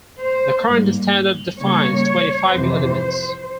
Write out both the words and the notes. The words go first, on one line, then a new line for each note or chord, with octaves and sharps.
The current standard defines twenty-five elements.
C5
G#2 G3 A#3
C#3 G3 A#3 C#5
F2 C3 E3 C5